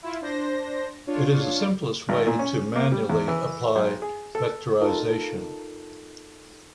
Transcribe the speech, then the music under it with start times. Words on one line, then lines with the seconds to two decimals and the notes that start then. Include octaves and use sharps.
It is the simplest way to manually apply vectorization.
0.02 E4 F4
0.21 D4 C5 A#6
1.07 D4 F4 C#5
2.09 G#1
2.27 A#2
2.39 C#4
2.76 A#3
2.92 G3
3.10 E2
3.28 E3
3.75 B1
4.02 G#4
4.35 A4
4.81 D#4 F4 A4 A#4